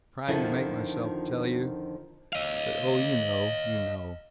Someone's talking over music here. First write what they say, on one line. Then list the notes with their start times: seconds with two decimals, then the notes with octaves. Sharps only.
Trying to make myself tell you--but oh, you know, you know!
0.28 F2 D3 D#3 F3 E4
2.33 D#5 F5